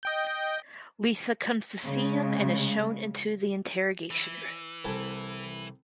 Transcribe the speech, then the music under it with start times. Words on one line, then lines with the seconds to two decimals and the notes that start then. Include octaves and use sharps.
Lisa comes to see him and is shown into the interrogation room.
0.03 D#5 G5 G6
1.88 C#3 G#3
4.11 E3
4.85 C2 A4 G#5